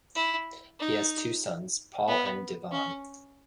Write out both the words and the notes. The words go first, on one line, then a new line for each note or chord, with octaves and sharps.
He has two sons, Paul and Devon.
E4
D#4
B3
C#4